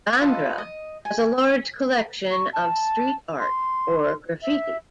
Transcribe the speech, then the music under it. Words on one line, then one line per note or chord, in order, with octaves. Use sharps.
Bandra has a large collection of street art or graffiti.
F4 A4 B4 D#5
D#5
G#5
C#6
A5
C6
E5